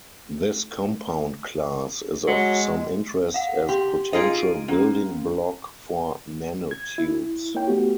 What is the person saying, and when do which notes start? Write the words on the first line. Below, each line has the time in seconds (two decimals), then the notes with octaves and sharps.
This compound class is of some interest as potential building block for nanotubes.
2.27 F#3 G#3
3.34 F5 F#5
3.69 G4 C6
4.13 D#4 F4 G#4 D7 D#7
4.68 A#3 C#4
6.71 G#6
6.98 E4
7.55 A#3 D#4 E4 C#5 G5
7.68 A3 B3 F#4 G4